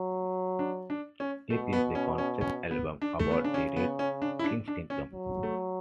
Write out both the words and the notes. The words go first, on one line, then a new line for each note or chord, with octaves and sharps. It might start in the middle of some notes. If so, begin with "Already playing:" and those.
It is a concept album about the Red King's kingdom.
Already playing: F#3
D4
D4
C#4
B2 A3
B3
C#4
C#4
C#4
B3
D4
A3
C#3 B3
D4
C#4
B3
C#4
D4
E4
D4
D4
C#4
F#3
A3